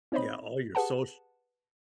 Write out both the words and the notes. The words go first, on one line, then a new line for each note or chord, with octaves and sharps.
yeah, all your soc
C4 D#4 C5 C#5 D#5 B5
G4 G#4 B4 F#5 A5